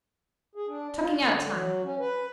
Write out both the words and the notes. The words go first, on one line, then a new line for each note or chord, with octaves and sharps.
Chuckingout time.
G#4
D4
F4
D3
F#3
C#4
B4